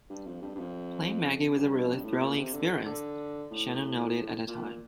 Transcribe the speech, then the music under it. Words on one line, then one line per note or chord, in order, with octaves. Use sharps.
"Playing Maggie was a really thrilling experience," Shannon noted at the time.
G2
F2
G2
G2
F2
G2
F2
G2
A2
A#2
C3
D3
D3
A2
A#2
A#2